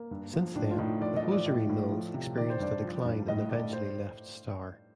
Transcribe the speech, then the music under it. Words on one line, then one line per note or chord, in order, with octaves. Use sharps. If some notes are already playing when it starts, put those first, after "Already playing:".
Since then, the hosiery mills experienced a decline and eventually left Star.
Already playing: A#3
G2
F3
A2 D4
F4
A2 D#4
F3 D5
D#5
F3
D5
A2
A2
F3
C3
D#3 D5
C5
G2 D5
F3
G2
A2 D#5
A2 D5
C5